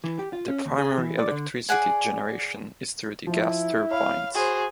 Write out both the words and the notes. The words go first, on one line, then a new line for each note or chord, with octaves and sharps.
The primary electricity generation is through the Gas turbines.
E3
G4
F4
C#4
D#2
G#4
E3
D5
D3
G#4 D5 F#5 G#5
F3 E4
C#5 F5 B5
F#4 G#4 C5